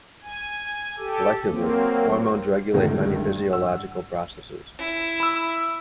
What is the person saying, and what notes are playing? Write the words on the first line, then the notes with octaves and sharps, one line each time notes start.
Collectively, hormones regulate many physiological processes.
G#5
G4 A4
F#3 A#3 C4
C#2 F#2 A2 D3 D#3 G#3
G2
F#5 E6
E4
B5 E6